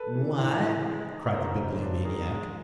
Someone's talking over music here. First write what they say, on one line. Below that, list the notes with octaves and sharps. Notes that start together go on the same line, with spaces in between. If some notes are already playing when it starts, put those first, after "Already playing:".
"What?" cried the Bibliomaniac.
Already playing: A4 B4
E3
A2
E3
G#3
D#4
C#3 A#4 C5
F#3
D4
D#3 G#4 A#4
G#3